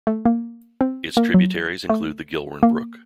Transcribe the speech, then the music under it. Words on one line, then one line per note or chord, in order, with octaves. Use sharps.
Its tributaries include the Gilwern Brook.
A3
A#3
C4
A#3
F#3
A3
A#3